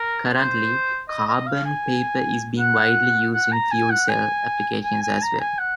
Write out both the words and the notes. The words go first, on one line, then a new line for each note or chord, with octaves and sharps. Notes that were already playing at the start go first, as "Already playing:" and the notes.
Currently, carbon paper is being widely used in fuel cell applications as well.
Already playing: A#4
C5
D#5
D#5
F5
G#5
F#5
F#5
A#5
G#5
F#5
G#5
G#5
G#5
A#5
G#5
F#5